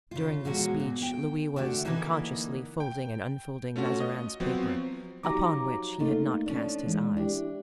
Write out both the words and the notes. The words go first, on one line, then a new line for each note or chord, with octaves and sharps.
During this speech, Louis was, unconsciously, folding and unfolding Mazarin's paper, upon which he had not cast his eyes.
C#3 F4
B2 D3 F3 F#3 G#3 F#4
A#2
G5
D3 A3 D4 F#4
D3 E3 A#3 D#4 A#4 B4
G5
A3 C#4 F4 F#4
D#5
F3 F#3 B3 C4
F3 F#3 D#4 G4 A#5 D6
A3 A#3 D#4 F4
F3 C#4 D4
E3 G#3
D4 E4 G4